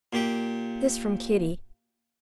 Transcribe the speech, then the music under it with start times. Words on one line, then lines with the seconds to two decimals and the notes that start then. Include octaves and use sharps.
This from Kitty.
0.13 A#2 G4